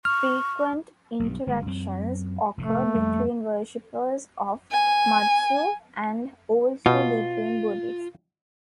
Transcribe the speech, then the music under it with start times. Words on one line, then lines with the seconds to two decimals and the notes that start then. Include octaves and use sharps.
Frequent interactions occur between worshipers of Matsu, and also between Buddhists.
0.05 C#6 F6
1.20 B1 G2
1.47 G1 G#3
1.66 F#2 C4
2.58 F1 A2 A3
2.95 F2 G3 A#3
4.72 G#5
6.86 B2 F4